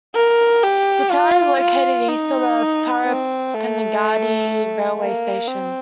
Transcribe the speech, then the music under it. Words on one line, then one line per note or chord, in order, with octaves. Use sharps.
The town is located east of the Parappanangadi Railway station.
A#4
G4
F4
F4
D#4
C4
A3
A#3
C4